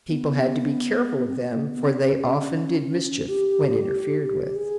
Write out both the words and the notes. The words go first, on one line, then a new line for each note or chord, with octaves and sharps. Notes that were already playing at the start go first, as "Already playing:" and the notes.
People had to be careful of them, for they often did mischief when interfered with.
B3
C4
B3
A#3
B3
C4
C#4
G4
G#4